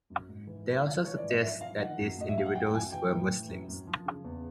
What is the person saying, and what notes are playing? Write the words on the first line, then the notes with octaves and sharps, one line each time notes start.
They also suggest that these individuals were Muslims.
F#2
G#2
E3
F3
F3
E3 C#5
D5
G#2
D#5
F3 E5
F3 F5
D#3 F#5
F#2
A2 D#5
E5
A2 F5
F#5
F#2 G5
G5
F#2 G#5
E3 G5
A2
E3
F#2
F#2
F3
C#3
E2